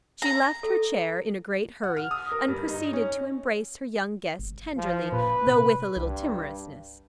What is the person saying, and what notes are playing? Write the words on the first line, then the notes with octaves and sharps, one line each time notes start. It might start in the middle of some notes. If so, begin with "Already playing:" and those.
She left her chair in a great hurry, and proceeded to embrace her young guest tenderly, though with a little timorousness.
A#5
A4
F#5
F6
D#6
A#4
G2
D#4
C#4
G1
F3
A#2 B4
C3
C2 G2